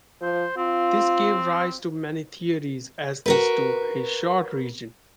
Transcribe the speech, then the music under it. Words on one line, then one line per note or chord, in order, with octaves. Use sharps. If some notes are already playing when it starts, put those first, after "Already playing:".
This gave rise to many theories as to his short reign.
F3 C5
C4 F4
F#4 A#4 B4